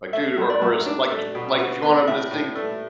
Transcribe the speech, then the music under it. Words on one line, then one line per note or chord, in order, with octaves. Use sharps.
like, dude or or it's like like if you want him to sing
A3 E5
F#2
D5
F#2
D4
A3
B2
F#4 B4
B3
D5
A2 E5
A2
A3